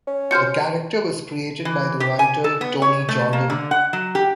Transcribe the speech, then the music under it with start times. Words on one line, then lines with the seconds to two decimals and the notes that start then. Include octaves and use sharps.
The character was created by the writer, Tony Jordan.
0.07 C#4
0.31 F4 F#4 C5 F6 G6 C#7
1.65 E3
2.00 G4
2.19 G#5
2.44 A4
2.61 B3
2.82 C#5
3.09 A3
3.33 A#3
3.50 D3
3.71 F#5
3.93 F#3
4.15 G4